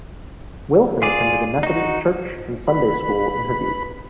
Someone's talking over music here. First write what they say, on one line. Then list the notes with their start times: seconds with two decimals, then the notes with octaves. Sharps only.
Wilson attended a Methodist church and Sunday School in her youth.
1.02 F4 G#4 D5
1.63 D#4 F#4
2.67 B4 B5